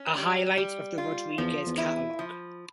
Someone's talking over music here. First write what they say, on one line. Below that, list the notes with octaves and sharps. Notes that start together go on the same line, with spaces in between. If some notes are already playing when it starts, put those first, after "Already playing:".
A highlight of the Rodrigues catalog.
Already playing: C#4
G3
G3
F4
E2 F3
E2
E4
F3